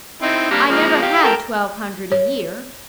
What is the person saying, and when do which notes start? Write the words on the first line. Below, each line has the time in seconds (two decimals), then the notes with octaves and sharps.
I never had twelve hundred a year.
0.22 C4 D#4 E4
0.51 G3 A#3 D4
0.70 F3 G#3 A#3
1.02 G4 F5
1.23 A4 A#4 G5
2.12 C#5